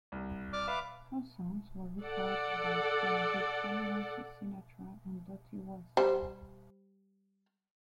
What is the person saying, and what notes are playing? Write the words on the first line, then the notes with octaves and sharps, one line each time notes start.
Her songs were recorded by Don Gibson, Nancy Sinatra, and Dottie West.
C2
D5 D6 F6
B4 E5 F5 D6
A4 D5 F#5
G3 C5